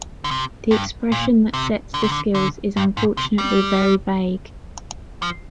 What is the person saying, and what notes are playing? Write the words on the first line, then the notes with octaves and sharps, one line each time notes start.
The expression that sets the skills is unfortunately very vague.
D3
C3
G2
A#2
C3
D3
C3
D3
D3
G2
G#2
C3
G3
F3